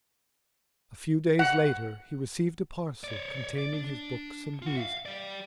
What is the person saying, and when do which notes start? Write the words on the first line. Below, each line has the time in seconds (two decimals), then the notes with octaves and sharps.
A few days later he received a parcel containing his books and music.
1.39 F#5
3.04 C#5 D5
3.58 D5
3.73 D4
4.62 F4 F#5
4.77 E5 F5
5.05 G4 D5